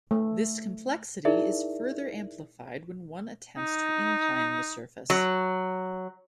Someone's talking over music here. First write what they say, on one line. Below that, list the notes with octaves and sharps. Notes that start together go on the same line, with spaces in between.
This complexity is further amplified when one attempts to incline the surface.
A3
D#4 E4 G#4 A#4 D5 E5
D#4
F#3